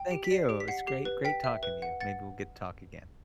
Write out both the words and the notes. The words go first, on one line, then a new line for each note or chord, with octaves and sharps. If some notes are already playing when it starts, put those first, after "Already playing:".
Thank you. It was great great talking to you. Maybe we'll get to talk again.
Already playing: G5
G4 D7
B6
D5
C7
G4 D7
B6
F#5 C7
G4 C7
B4
G5 B6
E5
B4
F#5
F#5 A6